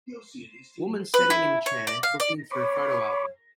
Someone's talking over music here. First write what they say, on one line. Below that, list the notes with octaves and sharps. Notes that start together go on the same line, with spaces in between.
Woman setting in chair looking threw photo album.
B4
E4
C#5
D5
F5
D5
C#5 B5 C#6 D6